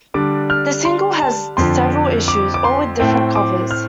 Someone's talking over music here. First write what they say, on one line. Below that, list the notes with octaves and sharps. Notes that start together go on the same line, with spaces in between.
The single has several issues, all with different covers.
D3 G3 D4 D6
F6
C6
A5
F2 D3 F3 C6
D6
D6
C6
A2 A3 C4 G5
D6
F6